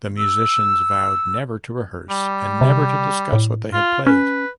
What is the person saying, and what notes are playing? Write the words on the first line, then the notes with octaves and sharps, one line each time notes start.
The musicians vowed never to rehearse and never to discuss what they had played.
E6
G3
C3
A2
F4
C#4 B4